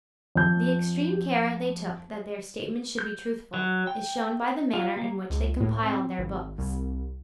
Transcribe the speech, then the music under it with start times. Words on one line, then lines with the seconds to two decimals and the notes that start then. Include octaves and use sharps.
The extreme care they took that their statements should be truthful is shown by the manner in which they compiled their books.
0.35 F2 G6
2.99 G6
3.54 F#3
3.87 G5
4.74 F4
4.97 A#3
5.30 C#2
5.61 A2
5.83 C4
6.19 G#1
6.58 C2